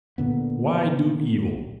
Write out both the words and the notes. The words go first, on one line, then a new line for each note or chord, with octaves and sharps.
"Why do evil?"
A#2 D3 B3